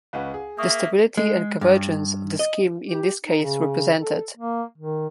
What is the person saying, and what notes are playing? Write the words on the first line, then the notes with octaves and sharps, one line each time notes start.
The stability and convergence of the scheme in this case were presented.
C#2 C#4 B4 F5 F#5
G#4
A#3 E5 C#6 D#6
G#3
G2
D#5
G4
D#4
C#3
A4
A#3
D#3